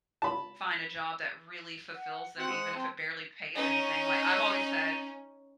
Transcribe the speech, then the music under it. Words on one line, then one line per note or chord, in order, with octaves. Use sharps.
find a job that really fulfills them even if it barely pays anything, like I've always said,
A5 B5
F#5
C4 F#4 F#5
G#3 C5
C4 A5
C#4 D#4